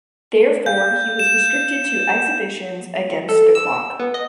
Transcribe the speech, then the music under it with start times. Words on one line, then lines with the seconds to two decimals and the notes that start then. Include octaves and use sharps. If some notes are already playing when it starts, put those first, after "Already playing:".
Therefore he was restricted to exhibitions against the clock.
0.66 F5 G6
1.19 E7
3.29 A4
3.55 E6
4.00 B3
4.14 D#5